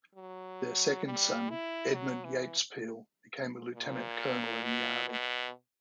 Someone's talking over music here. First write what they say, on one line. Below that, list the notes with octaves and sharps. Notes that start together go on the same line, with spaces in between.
Their second son, Edmund Yates Peel, became a Lieutenant-Colonel in the Army.
F#3
G3
E4
F#3
E3
A#2
B2
B2